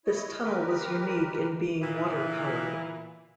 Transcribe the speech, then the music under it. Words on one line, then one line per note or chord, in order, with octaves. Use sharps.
This tunnel was unique in being water-powered.
E4 C#5 D#5
D#3 G4 A#4 B4
A#2 E3